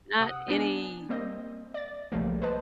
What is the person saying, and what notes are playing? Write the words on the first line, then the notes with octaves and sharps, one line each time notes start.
not any,
C3 F#5 D#6
B3 D4 G#5
G3 A#3 C4 D#5
D5 A6
B1 C#3 F3 G3 A3 A#3
B4 C5 D#5 A5